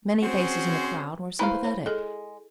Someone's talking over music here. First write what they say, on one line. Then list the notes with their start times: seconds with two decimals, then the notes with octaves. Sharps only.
Many faces in the crowd were sympathetic.
0.23 C4 C#4 F#4 G#4 C5
1.39 E4 B4 C5 F5 A#5 B5
1.64 C#5
1.86 G#3 G#4 A4